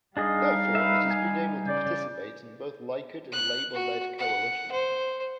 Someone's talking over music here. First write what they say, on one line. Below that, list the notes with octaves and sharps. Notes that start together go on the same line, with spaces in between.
Therefore, it has been able to participate in both Likud- and Labour-led coalitions.
G3 D4 D#4 G#4 D#5 F5
B4 E5
G#5
C#3 D5 G6
F#6
F#4
F#5
C5